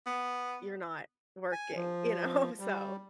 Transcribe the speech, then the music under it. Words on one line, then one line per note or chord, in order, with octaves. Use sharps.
you're not working. You know? So,
B3
G#5
F3
G3